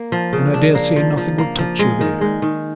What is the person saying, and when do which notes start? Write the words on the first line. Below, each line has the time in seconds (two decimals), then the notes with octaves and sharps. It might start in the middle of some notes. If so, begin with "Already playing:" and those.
And I dare say nothing will touch you there.
Already playing: A#3
0.12 F3
0.33 C#3
0.54 D4
0.75 A#3
0.96 F3
1.17 F3
1.38 A#3
1.59 F3
1.79 G#3
2.01 D#3
2.21 G#3
2.42 D#3